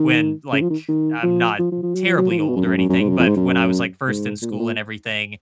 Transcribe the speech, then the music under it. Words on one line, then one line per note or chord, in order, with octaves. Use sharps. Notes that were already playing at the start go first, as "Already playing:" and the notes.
when, like I'm not terribly old or anything, but when I was, like, first in school and everything,
Already playing: D#3
C#3
F3
D#3
D#3
F3
F3
F3
F3
F#3
F3
F#3
F3
D#3
B2
F#2
F#2
F#2
F#2
G#2
F#2
F2
G#2
F#2
G#2
A#2
G#2
A#2